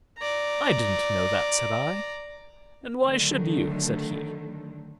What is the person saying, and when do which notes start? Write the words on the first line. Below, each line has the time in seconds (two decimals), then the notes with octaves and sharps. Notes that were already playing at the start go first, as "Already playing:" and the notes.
'I didn't know that,' said I. 'And why should you?' said he.
0.19 D5 A#5
3.04 D3 D#3 F#3 A3